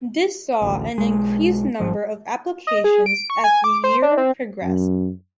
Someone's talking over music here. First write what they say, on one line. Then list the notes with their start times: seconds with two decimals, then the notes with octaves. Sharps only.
This saw an increased number of applications as the year progressed.
0.62 A1 D2
0.98 B1 G#3
1.80 G#1 G#2 F3
2.67 D#5
2.84 G#4
3.06 D7
3.30 C#6
3.44 G#5
3.64 D6
3.84 C5
4.02 D4
4.17 C4
4.64 F#2